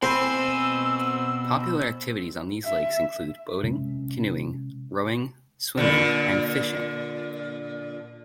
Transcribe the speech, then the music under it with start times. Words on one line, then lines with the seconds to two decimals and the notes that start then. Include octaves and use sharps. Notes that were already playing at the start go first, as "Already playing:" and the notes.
Popular activities on these lakes include boating, canoeing, rowing, swimming, and fishing.
0.02 B2 C4 C5 G#5 B5 E6
2.65 E5
3.63 C3 G#3 C4 C#4
5.77 A#2 D3